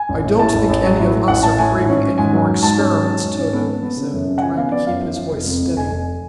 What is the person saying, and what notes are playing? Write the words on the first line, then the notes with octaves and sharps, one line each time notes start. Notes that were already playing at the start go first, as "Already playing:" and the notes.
"I don't think any of us are craving any more experiments, Tode," he said, trying to keep his voice steady.
Already playing: G#5
A1
A2
A2 A5
A1
A1
F#3
A2
A2
A1 F#5
A2 A5
A2 G#5
G#2
C#4
C#4
G#2 G#5
F#3
G#2
G#2 A5
C#4
F#3
C#4
G#2
C#4
B3
B3
B3
C#3
F#2
C#3
F#5
F3 G#5
B3 F5
B3 D5
F#2 F5
F3
F3
F1
F2
F1
F1 G#5
F1